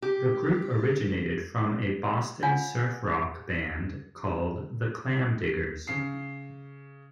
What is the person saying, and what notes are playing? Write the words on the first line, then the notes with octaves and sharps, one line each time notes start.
The group originated from a Boston surf rock band called 'The Clamdiggers'.
G4
F4 C#5 F5 F#5 G#5
C#3 C7